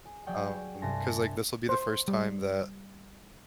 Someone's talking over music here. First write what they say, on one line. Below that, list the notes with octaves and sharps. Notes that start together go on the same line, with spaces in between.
um, 'cause, like, this will be the first time that
G#4
F#3 G#4 D5 G5 C#6
C2 G2 G#5 A5 C6 A#6
C5
G3